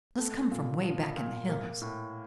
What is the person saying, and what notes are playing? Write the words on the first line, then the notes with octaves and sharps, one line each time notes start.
"Must come from way back in the hills."
A3
A#2
F3
A#2
A#3
A2